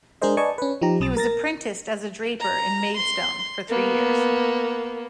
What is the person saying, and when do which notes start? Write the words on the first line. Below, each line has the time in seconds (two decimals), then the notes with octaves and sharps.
He was apprenticed as a draper in Maidstone for three years.
0.22 G#3 D4 G#4 A#4 C5 D#5
0.37 B4 D5 D#5 G#5 A5 C#6
0.58 C#4 B4
0.82 F3 D#4 G4 A#5
1.00 B1 D#6 A6
1.17 A#4 A6 A#6
2.40 A#5
2.97 C6
3.69 A#3 B3